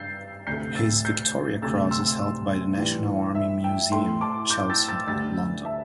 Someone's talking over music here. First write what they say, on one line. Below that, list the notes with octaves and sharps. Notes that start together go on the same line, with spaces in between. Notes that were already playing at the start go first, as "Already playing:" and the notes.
His Victoria Cross is held by the National Army Museum, Chelsea, London.
Already playing: G2 E6 G6 A6 C7
D2 C3 A3 G6 C7
E6 A6
G6 C7
D2 C3 A3 E6 A6
C6 E6
A2 E3 G3
E5
G5
A2 A3 G5 C6
A5 D6
D6 G6
E6 A6
E6 A6
D2 D3 G3 E6 A6
E5 A5